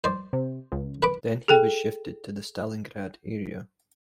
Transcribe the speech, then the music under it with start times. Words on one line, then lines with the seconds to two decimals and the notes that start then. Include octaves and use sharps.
Then he was shifted to the Stalingrad area.
0.04 C5 D5
0.33 C3
0.72 C#2
1.03 B4 B5 D6
1.48 G#4 A4 G5